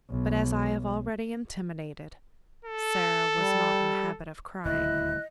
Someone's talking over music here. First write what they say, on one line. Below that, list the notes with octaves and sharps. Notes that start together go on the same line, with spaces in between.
But, as I have already intimated, Sara was not in the habit of crying.
B1
A4
G3
D#1 D2 E4 D#5 F#6